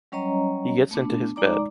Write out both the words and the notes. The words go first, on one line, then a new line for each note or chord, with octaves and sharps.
He gets into his bed.
F#3 G3 C#4 C#5 D#5 A#5
A3 B3 D4
G#3 D#4 D5 A#5 D6